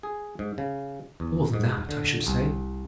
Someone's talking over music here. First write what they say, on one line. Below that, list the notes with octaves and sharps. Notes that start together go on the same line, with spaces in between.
More than that, I should say.
G#4
G#2
C#3
E2
G#2
D3
C2